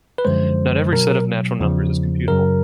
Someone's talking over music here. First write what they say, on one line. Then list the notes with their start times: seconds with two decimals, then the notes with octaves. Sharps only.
Not every set of natural numbers is computable.
0.18 B4
0.25 F#2 D3 F3 G#3 C5
0.92 B2 F#3 A#4
1.60 E2 C#3 F3
2.28 F#2 C#3 F#3 A#4